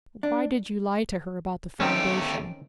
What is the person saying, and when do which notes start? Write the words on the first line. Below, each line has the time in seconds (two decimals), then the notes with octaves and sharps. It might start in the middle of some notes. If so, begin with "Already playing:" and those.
"Why did you lie to her about the Foundation?"
0.23 D4
1.80 D#3 A3 C4 C#4 G4